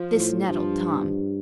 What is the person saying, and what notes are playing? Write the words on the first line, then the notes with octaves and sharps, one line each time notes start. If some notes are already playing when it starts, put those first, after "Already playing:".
This nettled Tom.
Already playing: F3
A2
G2 F3